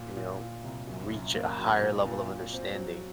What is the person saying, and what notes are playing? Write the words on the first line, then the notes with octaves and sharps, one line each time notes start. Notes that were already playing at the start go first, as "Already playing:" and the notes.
you know, reach a higher level of understanding
Already playing: A#2
A#2
A#2
C2
F#2
F#2
A#3
F#3
A#2
A#2
A#2
C4
F#3